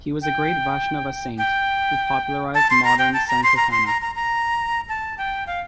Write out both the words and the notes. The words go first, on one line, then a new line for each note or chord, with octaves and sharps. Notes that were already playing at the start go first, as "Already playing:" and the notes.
He was a great Vaishnava saint, who popularized modern sankirtana.
G5
G5
A5
C6
A#5
G5
A5
A#5
C6
A#5
C6
A#5
A#5
A#5
A5
G5
F5